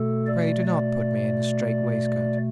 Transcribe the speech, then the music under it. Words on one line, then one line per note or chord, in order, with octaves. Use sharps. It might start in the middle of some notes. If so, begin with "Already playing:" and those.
Pray do not put me in a strait-waistcoat.
Already playing: B2 A3 A4
D5
D5